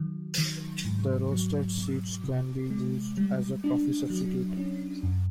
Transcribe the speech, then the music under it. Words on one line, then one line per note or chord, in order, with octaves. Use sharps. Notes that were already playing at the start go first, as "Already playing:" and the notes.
The roasted seeds can be used as a coffee substitute.
Already playing: D#3 F#3
D#3
G#2
F#3
B2
C3
G#3
G3
D4
F#3
C#4
F#2